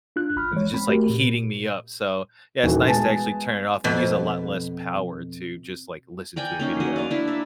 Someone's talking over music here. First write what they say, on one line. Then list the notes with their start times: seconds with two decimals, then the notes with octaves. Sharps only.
And it was just, like, heating me up. So, yeah, it's nice to actually turn it off, and use a lot less power to just, like, listen to a video.
0.16 D4 F4 F#6
0.36 A1 B5 F6
0.53 E3 G#3 C#5
0.73 C4 B5
0.88 A3 F#4 G4 A#4
1.10 A#2
2.63 D#1 E3 A#3 F#4
2.87 G#3 B3 G#5 A5
3.84 F2 B2
6.36 A#4 D5 G5 G#5
6.59 A#3 C#4 D#4
6.80 F#3 D#5 F#5 G#5
6.96 D5 F5
7.11 D4 E4
7.27 A#3 E5 A5